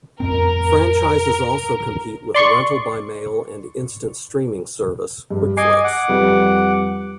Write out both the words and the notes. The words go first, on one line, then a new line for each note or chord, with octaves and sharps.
Franchises also compete with rental-by-mail and instant streaming service, Quickflix.
F2 A2 C4 A#4
D5 C6 C#6 C#7
G2
D#5 G#5 D6 C7
F#5 D6
F2 G3 B4